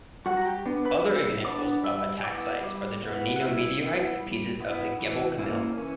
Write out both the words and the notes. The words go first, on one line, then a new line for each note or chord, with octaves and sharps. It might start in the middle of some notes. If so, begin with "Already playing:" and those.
Other examples of ataxites are the Dronino meteorite and pieces of the Gebel Kamil.
G3 F#4 F#5
A#5
G4 G5
B3 D4
B4 B5
G3 E5 E6
B3 D4 D5 D6
G3 E5 E6
B3 E4 D5 D6
G3 D5 D6
B3 E4
F#5
G3 E4 E5
B3 E4
G3
B3 E4
E3
A#3 C#4 E4
E3 C#4 C#5